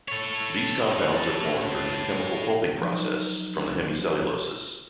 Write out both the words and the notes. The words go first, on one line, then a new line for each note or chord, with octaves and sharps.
These compounds are formed during the chemical pulping process, from the hemicelluloses.
A4 C#5
F3 F#3 D#4